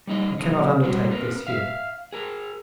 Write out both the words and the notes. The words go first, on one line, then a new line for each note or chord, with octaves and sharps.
We cannot undertake this here.
G3 D#4 D#5
C3 F#3 D#4
G3 G#3 F#4
C4 A#4 B4
E5 F5
G#4 A#4